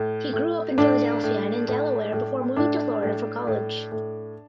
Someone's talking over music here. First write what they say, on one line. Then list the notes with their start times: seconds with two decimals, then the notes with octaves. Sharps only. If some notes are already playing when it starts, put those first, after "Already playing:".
He grew up in Philadelphia and in Delaware before moving to Florida for college.
Already playing: A2
0.33 A2
0.78 A2 D4
1.23 A2
1.68 A2
2.13 A2
2.57 A2 D4
3.02 A2
3.47 A2
3.92 A2